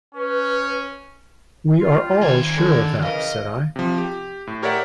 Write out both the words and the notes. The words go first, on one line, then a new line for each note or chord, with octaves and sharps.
"We are all sure of that," said I.
C#4 B4
G3 F4
D#3 G#5 G#6
D3
C#3 E3 A#4 D#5 F5
C3 F3
G4
A2
G4 A#4 C#5 D5 E5 F#5